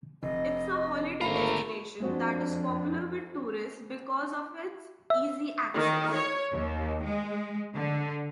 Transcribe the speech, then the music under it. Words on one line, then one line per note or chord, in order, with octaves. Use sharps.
It's a holiday destination that is popular with tourists because of its easy access.
F1 D#5
G#1 D2 A3 A#3 F5 A#5 B5
F2 G#3 C4 D4 F#4
E5
D#3
C#5
D#2
G#3
D3